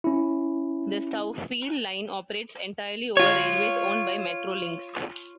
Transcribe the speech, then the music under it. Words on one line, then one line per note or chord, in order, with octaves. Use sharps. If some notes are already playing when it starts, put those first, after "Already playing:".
The Stouffville line operates entirely over railways owned by Metrolinx.
C#4 E4
F4 C#5